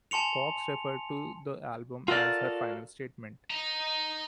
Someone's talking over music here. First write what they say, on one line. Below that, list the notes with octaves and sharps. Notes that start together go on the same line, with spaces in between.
Cox referred to the album as her "final statement".
G#5 A5 C6 C#7 F7
F4 F#4 A4 A#4 D5 F5
D#5 A#5